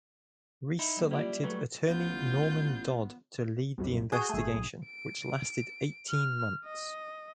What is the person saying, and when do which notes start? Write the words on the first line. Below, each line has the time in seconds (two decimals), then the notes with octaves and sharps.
Reece selected attorney Norman Dodd to lead the investigation, which lasted eighteen months.
0.79 D#4 E4
0.97 F#3 A#3 C#4
1.11 G3 A#3 E4 F4 G4 D5
1.44 F#3 G3 A3 B4
1.88 A1 B3 F4 G6
3.78 C2 F#2
4.12 F#4 G#4 G6 D#7
4.29 G#1 A3
4.54 B1
4.86 D7
6.10 F6
6.65 D#5